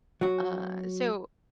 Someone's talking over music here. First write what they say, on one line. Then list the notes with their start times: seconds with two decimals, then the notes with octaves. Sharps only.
uh So
0.21 F#3 F#4